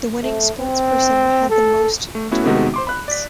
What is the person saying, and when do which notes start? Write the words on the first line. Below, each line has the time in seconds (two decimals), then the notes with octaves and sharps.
The winning sportsperson had the most total points.
0.23 A3
0.59 C4
1.50 A4
2.15 A3
2.31 A3 B3 C#4 E4 F#4
2.46 C3 D#3 G#3 B3 D#4 F#4
2.74 C5 C6 D6
2.87 B5 F#6
3.08 D5 B6